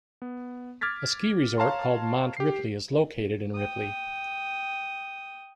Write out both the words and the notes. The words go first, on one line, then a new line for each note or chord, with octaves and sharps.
A ski resort called Mont Ripley is located in Ripley.
B3
D6 F6 G#6 A6 B6
C#5 F5 A5 A#5 C6
G4 C7
G5 D#6